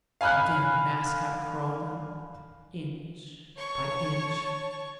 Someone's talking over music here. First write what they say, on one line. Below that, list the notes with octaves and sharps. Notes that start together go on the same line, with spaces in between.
Again "Mascot" crawled up, inch by inch.
F5 G#5 B5 F6 F#6
C#5 A5 C#6